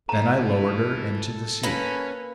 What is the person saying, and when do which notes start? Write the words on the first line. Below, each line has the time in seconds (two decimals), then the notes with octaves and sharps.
Then I lowered her into the sea.
0.09 E4 A4 B4 A#5
1.63 A#3 C#4 B4